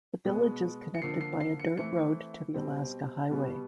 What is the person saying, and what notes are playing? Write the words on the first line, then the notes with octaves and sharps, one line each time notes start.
The village is connected by a dirt road to the Alaska Highway.
B2 G#3 B3
C#7
D3 F3 A#3 C7
C7
C7
C#7
E3 A3 C4 C#7
B2 G3 C4
B2 G3 B3